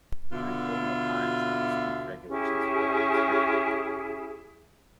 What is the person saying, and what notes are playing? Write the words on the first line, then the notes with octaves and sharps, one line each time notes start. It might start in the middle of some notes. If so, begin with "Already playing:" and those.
During colonial times, English speech regulations were rather restrictive.
B2 D3 F4 E5
C#4 E4 G4 G#4